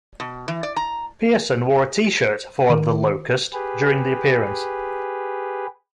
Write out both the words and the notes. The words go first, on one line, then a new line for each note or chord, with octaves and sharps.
Pearson wore a T-shirt for The Locust during the appearance.
B2
E3
D5
A#5
D#3 A#4
G4 G#4 B4